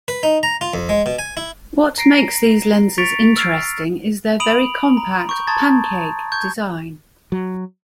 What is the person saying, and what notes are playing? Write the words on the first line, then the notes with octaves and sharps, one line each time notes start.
What makes these lenses interesting is their very compact "pancake" design.
B4
D#4
A#5
F4
F2
G#3
B2
G#5
E4
A#5 A#6 C7 D7
C#6 A6 B6 C#7 D7 F7
E6 F6 A6 C7 D7
B5 D#6 D7 D#7 F7 F#7
A#5
C#6 G6
A5 A#5 C6 D#6 G#6 A6
C#6 G6 G#6
F#3